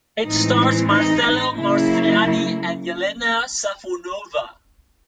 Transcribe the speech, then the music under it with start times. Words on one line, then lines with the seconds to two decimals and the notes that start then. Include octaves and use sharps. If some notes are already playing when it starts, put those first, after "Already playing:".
It stars Marcello Mastroianni and Yelena Safonova.
0.24 A2 E3 G#3 C4 D#4
0.90 D#4
1.56 C#3 F#3 A#3 E4